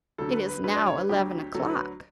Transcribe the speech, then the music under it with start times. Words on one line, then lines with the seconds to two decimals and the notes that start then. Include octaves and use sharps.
It is now eleven o'clock.
0.18 D2 D3 F#3 A4
0.33 B4
0.49 B4
0.64 D2 D3 F#3 B4
0.75 D5
0.86 C#5
0.98 B4
1.09 D2 D3 F#3 G4
1.55 D2 D3 F#3 A4
1.70 B4